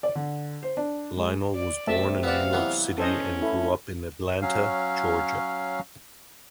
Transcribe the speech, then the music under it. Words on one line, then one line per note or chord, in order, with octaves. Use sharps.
Lionel was born in New York City and grew up in Atlanta, Georgia.
D5
D3
C5
D4
G#3
D5
C3 A3 E5 A5
B3 F#4 D5 E5 F5
E3 F#3 B3
C#4 A4 C5 D#5
A3 E4
F#3 C#4 F5